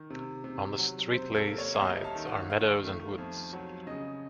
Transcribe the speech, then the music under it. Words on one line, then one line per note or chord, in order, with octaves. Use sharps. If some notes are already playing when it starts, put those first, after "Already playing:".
On the Streatley side are meadows and woods.
Already playing: D#3
C3
C3
F#3
C3 C5
A4
A#3
C#5
F5
C2 D#5
A5
D#3
F#5
D#3 F5
A3
F2
F#3
C#3 D#5